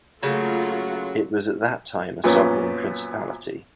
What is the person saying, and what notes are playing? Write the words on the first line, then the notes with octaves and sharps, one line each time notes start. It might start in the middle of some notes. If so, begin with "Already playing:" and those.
It was at that time a sovereign principality.
C#3 F#3 A3 A#3 F4
F#2 A#2 F3 B3 C#4